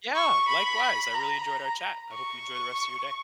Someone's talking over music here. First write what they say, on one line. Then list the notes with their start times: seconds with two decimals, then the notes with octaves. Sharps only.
Yeah! Likewise, I really enjoyed our chat. I hope you enjoy the rest of your day.
0.15 C#6
0.48 B5
1.14 A#5
2.13 C#6